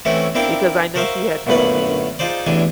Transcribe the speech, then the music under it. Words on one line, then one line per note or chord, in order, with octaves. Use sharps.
because I know she had told me,
E3 A3 C4 C#4 E4 F#4
C4 D4 E4 A#4 F5 G5
F#4 A#4 C5 E5 F5
F#2 A#2 A3 B3 B4 F#5
D#4 F4 G#4 C5 D5
A1 E2 E3 D4 G#5